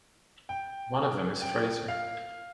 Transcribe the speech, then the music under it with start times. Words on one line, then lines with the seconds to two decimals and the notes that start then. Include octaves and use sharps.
One of them is Fraser.
0.49 G5
1.42 G5
1.88 F5